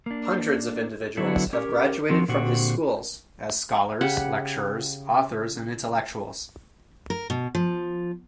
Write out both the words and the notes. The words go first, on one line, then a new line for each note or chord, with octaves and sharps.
Hundreds of individuals have graduated from his schools as scholars, lecturers, authors and intellectuals.
A#3 D4
D3 F#3 B3 D4 E4 F#4
C#4 G4 A#4
F3 C4 F#4
A#2 D3 C4 F#4 G4
C#3 G4 F#5 B5
A#4
B2
F3